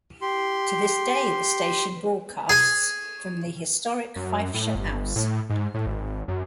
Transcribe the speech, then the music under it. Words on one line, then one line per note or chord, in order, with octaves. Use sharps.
To this day the station broadcasts from the historic Fifeshire House.
G4 C6
G#4 G#5
F#2
A2
G1
A2
G#2
A2
G#1
F#2